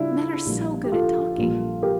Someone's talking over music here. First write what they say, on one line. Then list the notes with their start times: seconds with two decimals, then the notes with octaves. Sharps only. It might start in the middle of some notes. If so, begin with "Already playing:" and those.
Men are so good at talking!
Already playing: C#3 G3 D4 E4 F4
0.46 A#1 A#2 G3 A#3
0.84 G4
0.92 F4 A4
1.38 A#1 A#2 G3 A#3
1.83 G4 A#4